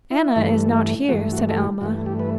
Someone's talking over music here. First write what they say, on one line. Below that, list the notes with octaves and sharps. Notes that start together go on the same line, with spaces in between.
"Anna is not here," said Alma.
E4
G2 E3 A3
G2 E3 A3 F#4
F#4
A4
G4
G2 E3 A3 F#4
G4
B4